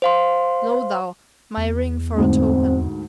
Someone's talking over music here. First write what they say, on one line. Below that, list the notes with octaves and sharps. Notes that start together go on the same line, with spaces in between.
Lo thou, my ring for a token!
C5 F5 C6
E2
D2 G#2 C4